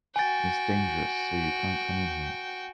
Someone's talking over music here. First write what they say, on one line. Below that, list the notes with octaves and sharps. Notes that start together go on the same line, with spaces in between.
It’s dangerous, so you can’t come in here.
F#4 G5 G#5 A6